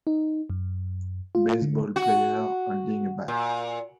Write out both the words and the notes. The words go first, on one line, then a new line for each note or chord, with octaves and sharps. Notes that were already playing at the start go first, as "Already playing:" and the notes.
Baseball player holding a bat.
D#4
F#2
F4
D3
F#4
A#2